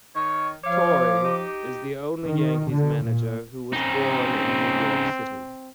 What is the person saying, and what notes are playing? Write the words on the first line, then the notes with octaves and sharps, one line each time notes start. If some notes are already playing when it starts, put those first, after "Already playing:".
Torre is the only Yankees manager who was born in New York City.
D#3 C#5
F3 C#5 F5 D6
D#4 G4
D#3
D3
A#2
C#3 C4 D#4